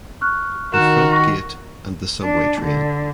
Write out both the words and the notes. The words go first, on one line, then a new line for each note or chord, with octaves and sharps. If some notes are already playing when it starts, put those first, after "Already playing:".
The front gate and the subway train.
C#6 F6 F#6
D#3 F#4 A#4 F#6 E7
C#6 F#6 A#6
D4
D3